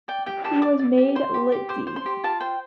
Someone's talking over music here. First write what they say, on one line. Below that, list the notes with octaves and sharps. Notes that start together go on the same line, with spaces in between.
He was made Litt.D.
D5 G5
G4 G5
G4 A5
D5 D6
D5
G4
C5 C6
G4
G4
C5 D6
C5
C6
G4
F4 A5
C5 G5